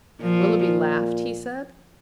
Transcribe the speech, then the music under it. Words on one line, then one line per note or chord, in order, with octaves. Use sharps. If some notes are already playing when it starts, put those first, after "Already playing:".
"And Willoughby laughed?" he said.
A#2 F3